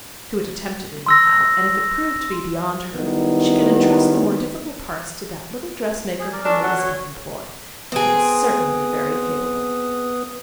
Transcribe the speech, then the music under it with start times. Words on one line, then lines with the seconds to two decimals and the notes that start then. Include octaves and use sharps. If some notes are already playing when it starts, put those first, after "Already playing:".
She would attempt it, anyhow, and if it proved to be beyond her, she could entrust the more difficult parts to that little dressmaker whom Elizabeth employed, and who was certainly very capable.
1.06 C6 E6 A#6
2.96 D#3 F#3 G3 B3 E4
6.20 G#4
6.33 A#4 D5
6.45 C#4 D4 A4 A#4
6.63 F#3
6.78 C#5
7.92 B3 C4 G#4 B4 D#6